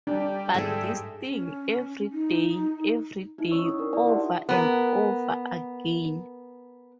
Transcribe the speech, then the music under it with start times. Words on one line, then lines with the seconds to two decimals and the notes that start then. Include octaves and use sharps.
But this thing-every day, every day, over and over again.
0.07 G3 D4
0.54 G#2 G3 G#4 A4 E5
1.27 C#4
2.13 D#4
3.38 D#4 E4
3.51 C#4 C#5 C#6 E6
3.65 C#5 D#6
3.78 D4 D#4 A#4
3.93 D4 E4 D5
4.08 F4 G4 E5 F#5 A5 C6
4.49 B3 A#4